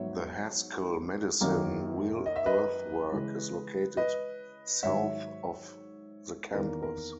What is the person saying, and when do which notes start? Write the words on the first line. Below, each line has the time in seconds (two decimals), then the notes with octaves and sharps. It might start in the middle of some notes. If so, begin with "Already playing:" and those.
The Haskell Medicine Wheel Earthwork is located south of the campus.
Already playing: G#2 F#3 B3 C#5 E5
1.41 F#2 D#3 F#3 A#3 D#4
2.26 D#5
2.36 E5
2.46 B4 D#5
3.11 C#3 E3 G#3
3.97 B4 D#5
4.83 G#2 D#3 F#3 C#5 E5
6.53 E2 D#3 A#3 D#4 A#4
6.83 A#4